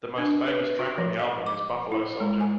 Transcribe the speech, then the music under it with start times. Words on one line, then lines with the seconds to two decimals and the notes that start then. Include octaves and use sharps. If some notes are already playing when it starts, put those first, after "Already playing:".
The most famous track on the album is Buffalo Soldier.
0.18 D4
0.47 B4
0.79 F#4
0.98 F3
1.19 D#5
1.46 D6
1.92 E4
2.20 G#3
2.41 G#5